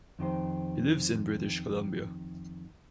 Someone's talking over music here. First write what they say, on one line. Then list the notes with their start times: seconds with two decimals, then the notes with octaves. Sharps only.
He lives in British Columbia.
0.19 F2 D#3 G4 C5